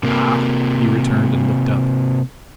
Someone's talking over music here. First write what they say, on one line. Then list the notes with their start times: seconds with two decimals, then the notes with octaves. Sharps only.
"Ah!" he returned, and looked up.
0.03 C3 A#3